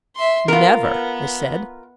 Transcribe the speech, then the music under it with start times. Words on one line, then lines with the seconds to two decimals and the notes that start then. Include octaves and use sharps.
"Never," I said.
0.16 E5 C6
0.48 B3 F4 A#4
0.82 B3